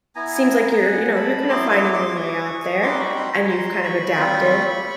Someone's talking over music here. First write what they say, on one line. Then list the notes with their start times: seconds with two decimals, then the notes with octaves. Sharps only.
seems like you're, you know, you're kinda finding your way out there, and you've kinda adapted.
0.15 B3 E4 G#5 A#5
0.82 F#5 G#5
1.15 A5 B5
1.49 F#3 B3 E4 C6 D6
1.71 C6 D6
1.93 C6 D6
2.16 C#6 D#6
2.83 G3 C4 D#4 F#4 C6 D6
3.00 B5 C#6
3.16 A#5 C6
3.33 G#5 A#5
3.49 A#5 C6
3.83 B5 C#6
4.16 G3 C4 F4